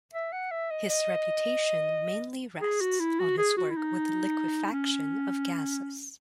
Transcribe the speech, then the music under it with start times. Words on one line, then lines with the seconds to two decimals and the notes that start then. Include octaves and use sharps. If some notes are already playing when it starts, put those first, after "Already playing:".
His reputation mainly rests on his work with liquefaction of gases.
0.14 E5
0.32 F#5
0.51 E5
0.71 D#5
0.90 D#5
2.61 G#4
2.81 F#4
3.00 E4
3.19 F#4
3.38 G#4
3.57 F#4
3.70 E4
3.77 D#4
4.65 D#4
4.72 C#4